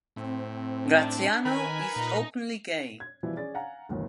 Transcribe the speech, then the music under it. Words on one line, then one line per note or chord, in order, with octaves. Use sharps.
Graziano is openly gay.
A2 C4
D4
D#3 A#4 B4 G#5 B5
A#2 D#4
G#6
B2 E3 F3 G3 E4
C#4 G#4 D5 A6
F5 F#5 G#5 A#5
G1 D2 B2 D#3 E3